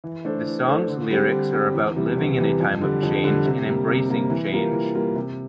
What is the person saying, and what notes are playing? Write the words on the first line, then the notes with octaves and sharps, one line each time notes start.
The song's lyrics are about living in a time of change and embracing change.
E3
A3 D4 A4 C5
E3
A3 D4 A4 C5
D3
G3 C4 G4
D3
G3 C4 G4
E2
C3 E3 G3
E2
C3 E3 G3
F2
D3 G3
F2
D3 G3
C3
G3 A#3
C3
G3 A#3
E3
G3 A#3 F4 A#4
E3
G3 A#3 F4 A#4
C3